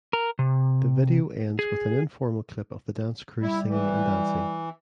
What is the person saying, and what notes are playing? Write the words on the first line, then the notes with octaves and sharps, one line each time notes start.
The video ends with an informal clip of the dance crew singing and dancing.
A#4
C3
G#4
G3 E4
E3